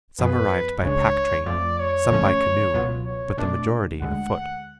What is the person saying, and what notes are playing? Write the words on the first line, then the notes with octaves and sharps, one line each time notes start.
Some arrived by pack-train, some by canoe, but the majority afoot.
F#2 F3 B3 F4 G#4 B4
C#2 C#3 G#3 D4 C#5
F2 F3 A3 F4 D5
C#5
D2 D3 F3 A3 C#4
C#2 B2 F#3 B3 F4
C#5
B2 A3 D4 D5
D2 D3 G#3 F#5